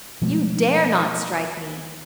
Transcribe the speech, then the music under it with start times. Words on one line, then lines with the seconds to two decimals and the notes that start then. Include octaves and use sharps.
You dare not strike me!
0.21 B2 F3 G#3 A3